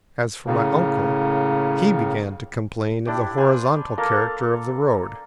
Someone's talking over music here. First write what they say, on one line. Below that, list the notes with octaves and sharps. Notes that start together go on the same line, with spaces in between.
As for my uncle he began to complain of the horizontal character of the road.
A2 C#3 A#3
D4 E4 G4 G5
B4 C5 F5 G#5
A#3 A4 A#4 F5